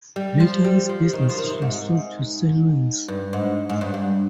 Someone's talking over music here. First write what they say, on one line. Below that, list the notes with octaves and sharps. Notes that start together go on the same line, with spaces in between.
Later this business was sold to Siemens.
G3
F3
G3
F3
D#3
F3
D#3
C3
G#2
G2
G#2
G#2
G2
G2